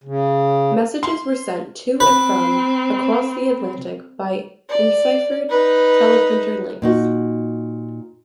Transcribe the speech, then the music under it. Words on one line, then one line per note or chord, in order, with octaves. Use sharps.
Messages were sent to and from across the Atlantic by enciphered teleprinter links.
C#3
C6
C4 B4
D5
D#4 B4
A#2 D#4 F#4